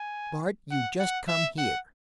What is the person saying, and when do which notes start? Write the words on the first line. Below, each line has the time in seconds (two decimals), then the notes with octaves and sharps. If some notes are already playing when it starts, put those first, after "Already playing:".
"Bart, you just come here!"
Already playing: G#5
0.71 F#5
0.99 F#5
1.28 E5
1.58 F#5